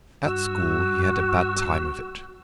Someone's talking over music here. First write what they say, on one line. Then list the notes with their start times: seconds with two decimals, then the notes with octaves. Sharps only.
At school he had a bad time of it.
0.25 G2 F#4 E6